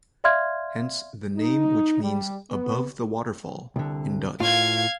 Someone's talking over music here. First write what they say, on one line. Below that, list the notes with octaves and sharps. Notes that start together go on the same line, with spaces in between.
Hence the name which means "above the waterfall" in Dutch.
D5 E5 F5 C6 F6 G#6
D#4
G3
B3
C2 D3
A2 F4 F5 G#6